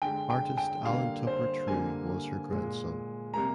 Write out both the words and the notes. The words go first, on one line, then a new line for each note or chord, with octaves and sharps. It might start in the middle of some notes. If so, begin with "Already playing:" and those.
Artist Allen Tupper True was her grandson.
D3 G#3 G5
G5
G5
D3 G3 A#3 F5
C5
D3 G3 A#3 G#5
A#2 G#3
C3 G3 A#3 A#5